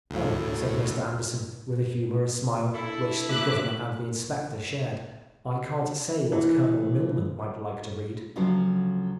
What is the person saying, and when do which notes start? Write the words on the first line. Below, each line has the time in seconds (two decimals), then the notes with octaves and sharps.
"Oh," said Mr. Anderson, with a humorous smile, which the Governor and the Inspector shared, "I can't say what Colonel Milman might like to read."
0.10 D2 A2
2.74 D4 E4 A4
3.29 A#3 E5 D6 F#6
6.32 E3
8.36 D2 C#3 F3 F#3 F#4 C5